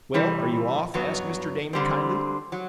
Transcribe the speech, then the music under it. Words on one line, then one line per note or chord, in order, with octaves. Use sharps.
"Well, are you off?" asked Mr. Damon, kindly.
C3 E3 G3
G2 F#3 B3
D3 G3 C4
F#3